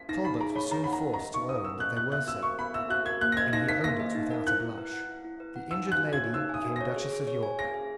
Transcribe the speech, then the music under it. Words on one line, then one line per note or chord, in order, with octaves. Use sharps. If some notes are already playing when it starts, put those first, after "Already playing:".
Talbot was soon forced to own that they were so; and he owned it without a blush. The injured lady became Duchess of York.
Already playing: B6
D#4 A#6
D#4 B5
G#4 A#5
C#5 B5
D#4 A#5
F#5 B5
A#5
A#4
D#5 A#5
D#4 C#6
F#5 D#6
A#4 E6
D#5 F#6
B3 F#6
E5 F#6
F#4 E6
A#4 C#6
B3 B5
E5 E6
F#4 F#6
A#4 G#6
A#3 F#6
A#6
D#5 G#6
D#4 A#6
A#4 B6
A#3 A#6
D#5
D#4
A#4
E4 F#6
E4
B4
F#5
E4
E4
B4
F#5
D#4 E6
G#5 F#6
F#4
G#6
C#5
D#4 E6
G#5 D#6
F#4
C#5 A#6
G#4
G#4
C#5
G#5
G#4 A#6
G#4